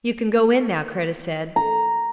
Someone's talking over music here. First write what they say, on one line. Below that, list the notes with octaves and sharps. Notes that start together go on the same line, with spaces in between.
"You can go in now," Kreta said.
A#5